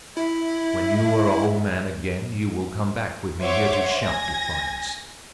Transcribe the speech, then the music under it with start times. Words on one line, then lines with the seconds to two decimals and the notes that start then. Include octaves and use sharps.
When you are a whole man again, you will come back with me here to shout defiance.
0.17 E4 E5
3.41 C5 C#5 E5 F#5 C6 D6
4.03 G#5 G#6 A#6